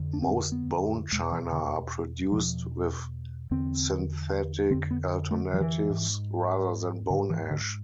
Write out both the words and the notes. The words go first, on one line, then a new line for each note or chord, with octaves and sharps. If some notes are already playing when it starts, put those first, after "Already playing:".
Most bone china are produced with synthetic alternatives rather than bone ash.
Already playing: F2 D3
D4
C4
B3
E2 B2 G#3
E3
D3
E2 B2 F3
E2 D3 C4
F2 D3 C4
B3
A3
F3
E3
G#2
G#2 D3
E3
D3